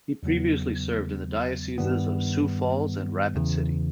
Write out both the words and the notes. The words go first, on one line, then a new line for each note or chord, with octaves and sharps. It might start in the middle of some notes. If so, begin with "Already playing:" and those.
He previously served in the dioceses of Sioux Falls and Rapid City.
E2 C#3 F#3 B3
G2 D#3 G3 B3
E2 C#3 E3